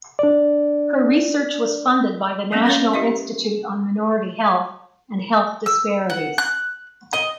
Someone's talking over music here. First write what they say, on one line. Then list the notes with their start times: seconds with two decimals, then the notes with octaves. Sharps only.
Her research was funded by the National Institute on Minority Health and Health Disparities.
0.19 D4 D5
2.52 G3 A#3 B3 C#4
2.67 C#4 A#4 C#5 F5
2.93 E4 G4 D#5 E5
5.66 E6
6.10 F#5
6.38 F#6
7.13 D#5